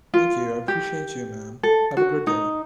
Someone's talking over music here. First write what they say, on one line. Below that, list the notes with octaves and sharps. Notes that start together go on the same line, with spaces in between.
Thank you, I appreciate you, ma'am. Have a good day.
F4
G4
A4
F#4
D#4